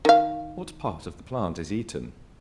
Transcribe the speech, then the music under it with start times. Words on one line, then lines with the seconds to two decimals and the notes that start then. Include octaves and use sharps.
What part of the plant is eaten?
0.05 D#3 F5